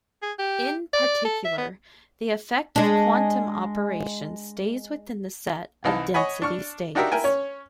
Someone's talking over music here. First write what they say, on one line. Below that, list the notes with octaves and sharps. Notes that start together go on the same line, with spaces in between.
In particular, the effect of quantum operations stays within the set of density states.
G#4
G4
D5
A4
E5
B3
G#3 D4
C2 E3 D#4 F5 A5
C#5 D#5 F#5 G#5 B5
D4 C#6 F6
D4 D#4 F#4 G4 A#4 E5
E4 A#4 G5 G#5
C#4 C#5